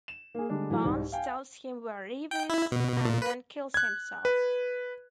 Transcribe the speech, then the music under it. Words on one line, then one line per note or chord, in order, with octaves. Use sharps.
Barnes tells him where Eve is and then kills himself.
E7
A#3 G#4
D3 G3 G#3 D4
A2 E3 F#3 G#3 A3
C2 G#2
F5 G5 G#5
G5
E4
B2
A#2
B4
F#6 G#6
B4